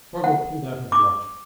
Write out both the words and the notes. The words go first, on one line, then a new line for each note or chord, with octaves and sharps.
Spargo pulled out his watch.
F#5
D6